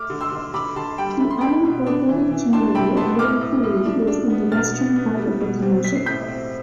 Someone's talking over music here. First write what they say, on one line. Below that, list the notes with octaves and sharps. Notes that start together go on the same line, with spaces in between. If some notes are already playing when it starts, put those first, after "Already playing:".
The unincorporated community of Little Cooley is in the western part of the township.
Already playing: A3 D6 F6
D3
C6 E6
D3
D3 B5 D6
D3 A5 C6
G3 G5 B5
A3 B5
C6
D4 G5 B5
B2
D4
E3
E3
D4 A5 C6
C3 G5 B5
B3 A5 C6
A2 D6 F6
A2
A2
D4
D4
B3
B2 F6 A6
B3
B3
G3
B2
C4
C4 B6
C7
A2 G6 B6
C4